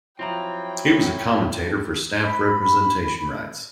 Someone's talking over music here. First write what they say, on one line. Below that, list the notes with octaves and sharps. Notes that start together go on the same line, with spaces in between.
He was a commentator for staff representation rights.
F3 F#3 C4 E4 F4 G5 A#5
B5